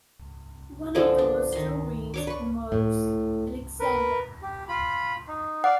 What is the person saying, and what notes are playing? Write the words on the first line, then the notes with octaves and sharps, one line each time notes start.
One of those stories involves Alexander.
D3 F3 G#3 D6
D4
D#3 C6
D4 C#5 D6
B4 C#6
A2
A#4 B4
G4
F4 B5
D#4
D5 F5 F#5